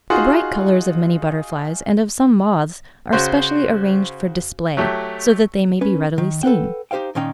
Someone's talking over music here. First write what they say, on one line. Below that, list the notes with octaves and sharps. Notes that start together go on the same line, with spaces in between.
The bright colours of many butterflies and of some moths are specially arranged for display, so that they may be readily seen.
D#4 F4 F#4 G#4 F#5 C6
C#3 F#4 C5
F#3 A3 G4
C#4 B4
D#3
A4 B4 F#5 G5
D#4 G4 C5 F5 G5
A#2 D#3 C#4 D#4 G5